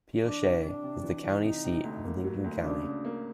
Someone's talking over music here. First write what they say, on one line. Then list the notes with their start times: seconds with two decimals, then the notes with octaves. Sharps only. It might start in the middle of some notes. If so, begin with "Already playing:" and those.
Pioche is the county seat of Lincoln County.
0.24 E3 D4
0.43 C3
0.63 C3 D4
0.83 C3
1.03 E3
1.23 E3
1.43 C3 D#4
1.64 C3
1.84 D2
2.04 A#3
2.24 F#3
2.44 D2
2.63 C#3 D4
2.84 C#3
3.05 A#3